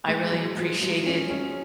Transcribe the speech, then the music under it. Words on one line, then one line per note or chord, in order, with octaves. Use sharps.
I really appreciated,
G#3
F#3
F3
F#3
C#4
C#4